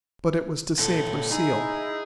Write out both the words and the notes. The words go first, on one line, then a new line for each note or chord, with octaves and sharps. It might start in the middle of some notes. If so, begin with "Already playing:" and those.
But it was to save Lucille.
A#2 A4
D#4 E4 G#4